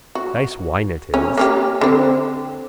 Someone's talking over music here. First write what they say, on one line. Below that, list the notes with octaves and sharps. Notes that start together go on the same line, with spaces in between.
Nice wine it is.
F#4
C#4
A#3 C#4 G4
D3 C4